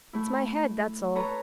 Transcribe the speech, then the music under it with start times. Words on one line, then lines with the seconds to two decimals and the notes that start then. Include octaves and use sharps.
It's my head, that's all.
0.13 A3 E4
1.15 A4 B4 C#5 A#5